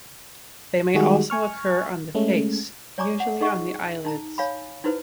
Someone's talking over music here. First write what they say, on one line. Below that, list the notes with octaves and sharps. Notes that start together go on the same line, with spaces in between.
They may also occur on the face, usually on the eyelids.
D#3 G3 G#3 F#4 G#4
G#5 C#6 F6
G#3 A3 C#4
C#5 D5 G#5 A#5 C#6 D6
F#5
D#4 G#4 D#5 F#5 C#6
D#4 A5 A#5
C#5 F5 G#5 B5
D#4 E4 F#4 B4 C5